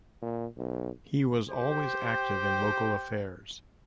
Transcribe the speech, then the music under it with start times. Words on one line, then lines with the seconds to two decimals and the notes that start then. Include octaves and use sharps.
He was always active in local affairs.
0.22 A#2
0.57 B1
1.49 G4 C5 G5